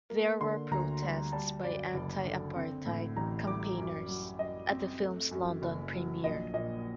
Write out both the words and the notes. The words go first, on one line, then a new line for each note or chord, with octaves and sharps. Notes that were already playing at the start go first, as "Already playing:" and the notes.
There were protests by anti-apartheid campaigners at the film's London premiere.
A#3
D3 C6
D2 A#5
G3
G3 A5
F#2 D5
F#1
D3
C4
A2
A1 A#5
G3 D6
F#2
F#3
F#2 D#5
C4
A3
F#2
F#1
F#3
A#1 D#5
A#2 D#5